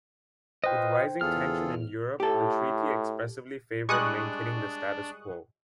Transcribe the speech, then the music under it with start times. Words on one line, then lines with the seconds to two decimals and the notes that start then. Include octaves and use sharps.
With rising tension in Europe, the treaty expressively favoured maintaining the status quo.
0.64 F4 B4 C5 D#5 G5
1.21 E2 F4 G#4 A4 F6
2.20 A2 G4 A4
3.89 G3 G#3 D4 C#6 D#6 F#6